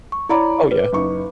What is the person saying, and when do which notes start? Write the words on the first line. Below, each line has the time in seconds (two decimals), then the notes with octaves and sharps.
Oh, yeah.
0.12 C#6
0.29 E4 C#5 D5 A#5 B5 D6
0.71 B4
0.93 F#1 D#4 C#6